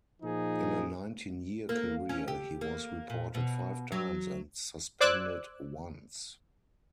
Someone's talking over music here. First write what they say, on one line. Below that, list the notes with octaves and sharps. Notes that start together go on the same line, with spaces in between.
In a nineteen-year career, he was reported five times and suspended once.
A#2 F3 D#4 G#4
A#3
C#4
G4
A#3
A#2
B2
F#3
C5 D5 D6 E6 F#6 G#6